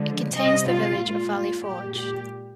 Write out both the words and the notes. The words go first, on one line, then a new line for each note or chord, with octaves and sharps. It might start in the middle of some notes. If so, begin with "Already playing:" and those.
It contains the village of Valley Forge.
Already playing: D3 F3 G#3
C3 G3 D#5
F4
A#2 G#3
F4
A#2 G#3 G4
G4